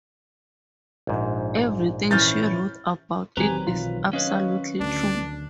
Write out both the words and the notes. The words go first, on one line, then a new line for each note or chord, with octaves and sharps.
Everything she wrote about it is absolutely true.
A#1 G#2
E3 C#4 E4 F6 G6 A6
A1 D#3 F#3 C4 G4 B4 G#5 A#5
B1 E3 F4
C#4 B4 C#5 D#5 F5
D2 D3 D4